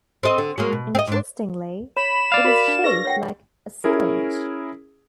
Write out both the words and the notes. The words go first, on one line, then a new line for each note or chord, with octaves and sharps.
Interestingly, it is shaped like a syringe.
C4 A4 D#5
D3
F#3 G#3 A#3
B2
C4 D#5
G#2 D4
C#5 B5 E7
D5 F5
F#4 A#4 B5
D4
G#4 B4 C#6 A#6
C#5 F#5 G5
C#4 E4 G#4 A#4